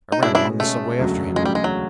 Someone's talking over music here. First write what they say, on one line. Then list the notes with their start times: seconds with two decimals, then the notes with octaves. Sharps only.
I ran along the subway after him.
0.12 D#4
0.23 B2 G#3 C#4 D4 E4
0.35 D4 E4
0.60 B2 G#3 A3 C#4
0.98 E1 D2 C#3 F#3
1.36 E1 D2 C#3 F#3 G#3
1.45 G3
1.55 G#3
1.64 F#3